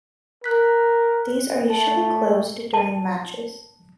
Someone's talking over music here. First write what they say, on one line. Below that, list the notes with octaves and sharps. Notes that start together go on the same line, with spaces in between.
These are usually closed during matches.
A#4 F#6 B6
A3 A5
A5